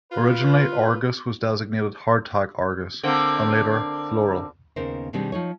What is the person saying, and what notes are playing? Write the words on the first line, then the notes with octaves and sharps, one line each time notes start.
Originally "Argus" was designated "Hardtack-Argus", and later "Floral".
F4 B4
D3 A#3 C4
D#2 C#3 B3 D#4 A#4 C5
B2 D#3 G3 C4 D4 G#4
F3 D#4 C#5